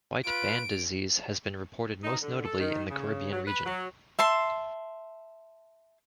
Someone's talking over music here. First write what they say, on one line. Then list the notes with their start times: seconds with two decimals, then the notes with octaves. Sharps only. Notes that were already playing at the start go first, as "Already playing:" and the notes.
White band disease has been reported most notably in the Caribbean region.
0.24 F4 B4 D7
2.04 D#4
2.22 D3
2.45 A4
2.60 D#3
2.90 C#3
3.32 F#3
3.48 B4
3.66 F#3
4.19 E5 A5 C6